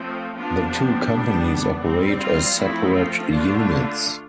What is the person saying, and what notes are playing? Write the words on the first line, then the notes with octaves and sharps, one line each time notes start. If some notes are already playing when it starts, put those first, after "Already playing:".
The two companies operate as separate units.
Already playing: F3 A3 C4
F3 B3 D4 F4
G4
G3 B3 D4
G3 C4
F4
F3 A3 C4 E4
F4
D3 A3 D4